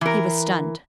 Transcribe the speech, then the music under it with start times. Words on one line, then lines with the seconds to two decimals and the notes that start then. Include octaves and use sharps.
He was stunned.
0.01 E3 A#4